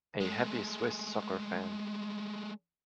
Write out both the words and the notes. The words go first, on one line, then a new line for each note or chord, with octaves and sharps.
A happy Swiss soccer fan.
G#3 A3